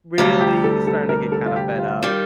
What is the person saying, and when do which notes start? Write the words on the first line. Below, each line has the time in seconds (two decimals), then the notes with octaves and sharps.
really starting to get kinda fed up,
0.18 D2 C3 G3 F4
0.41 G4
0.64 A4
0.87 A4
1.09 A#4
1.32 A4
1.46 F4
1.56 G4
1.78 F4
2.03 D#3 G3